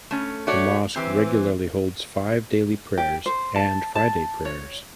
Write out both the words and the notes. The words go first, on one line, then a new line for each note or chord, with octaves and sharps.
The mosque regularly holds five daily prayers and Friday prayers.
A3 C#4
A3 F#4 C#5 D5
E3 C4 G4
G4
C5
A5
A5
C#5